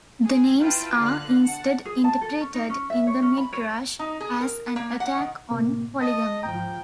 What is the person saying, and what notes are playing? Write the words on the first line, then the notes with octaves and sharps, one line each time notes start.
The names are instead interpreted in the Midrash as an attack on polygamy.
G#4
E4 F4 B4 G5 A5
D3 F5 F#6
F#5 A5
G#4
A5
A4
C#4
D#4
C#4
E5
C#5
C#4
B5
C#5
D#4
G#4
A#4
A#3
F#5
D#3
A2 C3 A#3
D#5 A5
G#2 F3 G5 A#5